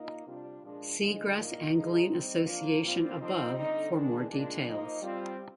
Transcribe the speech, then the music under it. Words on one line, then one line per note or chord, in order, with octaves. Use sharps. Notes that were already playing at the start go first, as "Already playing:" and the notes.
See Gress Angling Association above for more details.
Already playing: A#2 A#3 D#4
C3 G3 D4 F4
A#2 F3 G#3 D4
D3 F3 G#3
A#2 G3 A#3 D#4
C3 F3 G#3 D#4
G3 C4 D#4
F3 A#3 D4 F4
A#2 G3 C4 F4
F3 C4 D#4
D3 G3 C4 D#4
D#3 G#3 D4
A#2 G#3 D4
F3 A#3 D#4
G3 C4 F4